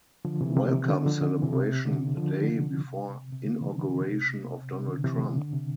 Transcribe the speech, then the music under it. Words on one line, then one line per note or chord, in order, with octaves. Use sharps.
Welcome Celebration the day before Inauguration of Donald Trump.
D3 F3
C3 E3
C3
D3
D3 F3
D3
C3 E3
C3
D3
D3 F3
D3
C3
C3
D3
C3 E3
D3 F3
C3 E3
D3
C3
C3
D3
C3 E3
D3
C3